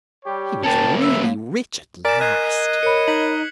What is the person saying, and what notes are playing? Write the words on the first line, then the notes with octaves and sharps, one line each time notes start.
He was really rich at last.
G3 G4 C#5
A#3 C#4 G5 A5
B4 E5
A#4 D5 G#5 B6 E7
D#5 F#6 G#6 C7
A#4 C#5 B5 C#7
D#4 B6 F#7